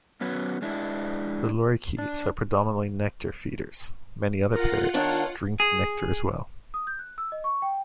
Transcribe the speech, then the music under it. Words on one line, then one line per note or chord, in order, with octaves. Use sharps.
The lorikeets are predominantly nectar feeders; many other parrots drink nectar, as well.
F#3 B3 C#4
G#3 D4 E4
D4
F4 A#4 F#5
D#3 D4 A#4 C#5
G#4
D#6
G6
F#6
E6
D#5
C#6
G5